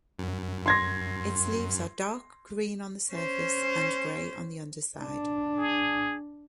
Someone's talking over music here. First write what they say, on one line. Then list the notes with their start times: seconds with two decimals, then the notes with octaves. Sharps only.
Its leaves are dark green on the surface and grey on the underside.
0.19 F#2
0.66 C6 G#6 A#6
3.12 C#4 C5
4.98 D4
5.58 G#4